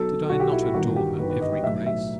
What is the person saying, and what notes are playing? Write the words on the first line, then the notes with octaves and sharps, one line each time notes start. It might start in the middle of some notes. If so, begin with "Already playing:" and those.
Did I not adore her every grace?
Already playing: B1 B2 F#3 A4
B1 B2 F#3 F#4
G4
E4
E4
G1 G2 D#3 F#4
G4
G1 G2 D#3 B4
B4
D#5
D#5
B1 A2 F#3 E5
E5